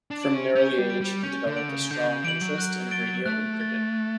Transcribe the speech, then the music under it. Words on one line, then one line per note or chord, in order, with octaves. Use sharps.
From an early age he developed a strong interest in radio and cricket.
D4
D7 F#7
C#4
C#4 G6
G3
D7 F#7
G3
C#4 G6
D3
D7 F#7
C#3
D3 G6
C#3
E3 D7 F#7
F#3
F#6
A6 D7 G7
A3 F#6
A6 D7 G7
F#6